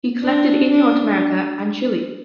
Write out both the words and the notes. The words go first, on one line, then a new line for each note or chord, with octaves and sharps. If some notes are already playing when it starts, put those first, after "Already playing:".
He collected in North America and Chile.
D4
D4